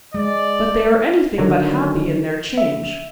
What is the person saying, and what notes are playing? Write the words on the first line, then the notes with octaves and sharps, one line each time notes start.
But they are anything but happy in their change.
G#3 D5
D3 D#3 F#3
E5